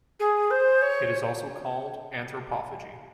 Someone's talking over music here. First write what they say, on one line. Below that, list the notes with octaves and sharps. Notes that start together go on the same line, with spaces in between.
It is also called "anthropophagy".
G#4
C5
C#5